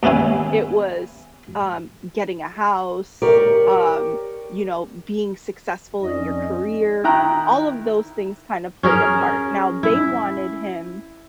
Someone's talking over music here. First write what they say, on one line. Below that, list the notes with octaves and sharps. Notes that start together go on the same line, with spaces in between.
it was, um, getting a house, um, you know, being successful in your career, all of those things kind of played a part. Now, they wanted him
D#2 B3 C#4 E4 G#5
G4 A#4 C#5 D5
F2 C#4 D#4 D5 D#5
D#3 E4 G5 A#5 F#6
C#4 G#4 A#4
E4